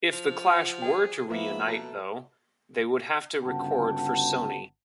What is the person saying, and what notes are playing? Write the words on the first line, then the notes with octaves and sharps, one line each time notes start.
If the Clash were to reunite though, they would have to record for Sony.
F3
F4 F#5
G#4 G5
F3 A#3 B3 E5 B5
B2 A3 A#5
G1 C#3 F#4 F#5 G5 A5